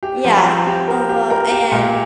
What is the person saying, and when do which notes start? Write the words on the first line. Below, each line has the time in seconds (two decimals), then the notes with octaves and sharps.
Yeah. Uh-huh, and,
0.03 G4
0.25 F3
0.45 C4
0.67 G4
0.88 A#4
1.09 G4
1.30 A#4
1.51 G4
1.72 A#2